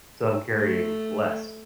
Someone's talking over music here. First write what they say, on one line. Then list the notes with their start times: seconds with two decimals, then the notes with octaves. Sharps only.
so I'm carrying less,
0.53 A3